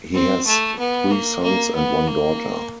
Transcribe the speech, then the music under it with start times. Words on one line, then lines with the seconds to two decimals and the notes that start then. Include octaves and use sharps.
He has three sons and one daughter.
0.14 C4
0.47 A3
0.79 B3
1.11 A#3
1.43 A#3
1.75 B3
2.07 A#3